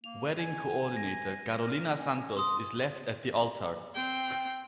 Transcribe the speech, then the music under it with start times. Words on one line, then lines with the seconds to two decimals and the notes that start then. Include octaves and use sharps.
Wedding coordinator Carolina Santos is left at the altar.
0.04 A#3 F7
0.38 G#5
0.97 A#6
1.62 A#4
1.98 C#4
2.37 C6 D#6
3.95 C4 G5